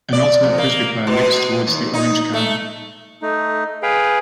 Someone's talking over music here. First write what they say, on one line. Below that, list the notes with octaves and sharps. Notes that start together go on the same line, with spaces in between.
An Ultimate Frisbee player leaps toward the orange cone.
D5
F2
A#3
B2
D#2
D#4
A3
A3 D#4
G#4 B4 F5 G5